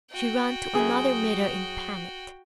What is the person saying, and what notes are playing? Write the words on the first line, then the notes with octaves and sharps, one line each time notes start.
She ran to another mirror in panic.
F#4 G5
F#2 G#4